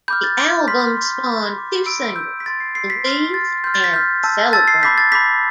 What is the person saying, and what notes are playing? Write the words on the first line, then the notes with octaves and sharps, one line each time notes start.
The album spawned two singles, "Louise" and "Celebrate".
B5 D6 F6 G6
A6
B5 D6 F6
C6 F6 B6
C6 F6
B5 D6 F6
B5 D6 F6
B5 E6 G6 D7
B5 E6 G6
B6
C6 E6 G6 A6
C7
C6 E6 G6 C7
B6
C6 F6 B6
C6 F6 A6
C6 F6 G6
A6
B6
C6 F6 G6
A5 E6 G6
A5 E6 G6 A6
C7
B5 D6 G6 B6
A6
B5 D6 G6 B6